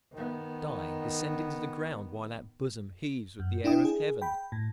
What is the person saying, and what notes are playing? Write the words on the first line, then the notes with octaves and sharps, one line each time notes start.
Die, descend into the ground, while that bosom heaves with the air of heaven?
D#3 B3
F#2
D4 E4 G5 D#6
G#4
G5 B5
A2